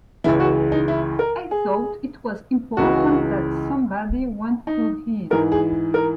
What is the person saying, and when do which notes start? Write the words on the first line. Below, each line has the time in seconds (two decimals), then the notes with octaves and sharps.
I thought it was important that somebody went to his.
0.24 C#2 C#3 E3 E4
0.40 F#4
0.72 D#4
0.88 E4
1.19 A#4
1.51 G#4
2.77 C#2 C#3 E3 F#4
4.67 D#4
5.30 G#2 E3 A#4
5.52 G#4
5.94 A#4